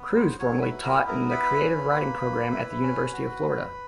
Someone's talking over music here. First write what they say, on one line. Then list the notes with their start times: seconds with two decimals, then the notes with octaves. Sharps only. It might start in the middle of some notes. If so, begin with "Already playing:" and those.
Crews formerly taught in the creative writing program at the University of Florida.
Already playing: B3
0.09 F#3
0.16 C5
0.39 F#3 C#5
0.61 B4
0.70 E4
0.84 A#4
1.00 B3
1.07 A#4
1.30 E4 B4
1.60 C#4
1.91 A#3
2.21 A#3
2.52 E4
2.82 C#4
3.13 F#4